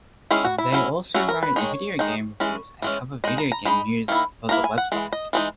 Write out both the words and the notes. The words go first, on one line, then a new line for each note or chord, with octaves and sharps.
They also write video game reviews and cover video game news for the website.
D#3 G#3 C#4 E4 G#4
F#4
E4
F#3 C#4 E4
F#3 C#4 E4 F#4
A#4
B4
D#3 G#3 D#4 C#5
D#3 G#3 D#4
E3 G#3 C#4
E3 G#3 C#4
G#3 D#4 D#5
A#5
A#5
G#3 D#4 B5
D#3 A#3 E4
D#3 A#3 E4 A#5
G#5
F#5
E3 G#3
D#5
E3 G#3 D#4